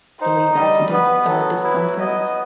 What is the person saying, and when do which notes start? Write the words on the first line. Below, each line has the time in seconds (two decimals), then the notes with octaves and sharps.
believe that's a dense uh, discomfort,
0.20 D#4 C5
0.56 G3 D#5
0.93 B3 B4
1.28 F#3 A4
1.64 E4 B4
1.99 B3 D#5